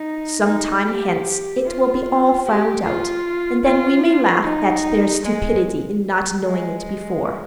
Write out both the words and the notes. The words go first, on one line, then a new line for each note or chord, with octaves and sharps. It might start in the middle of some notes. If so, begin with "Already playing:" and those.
Some time hence it will be all found out, and then we may laugh at their stupidity in not knowing it before.
Already playing: D#4
D#4
G4
F4
G4
F4
F4
D#4
G#3
G#3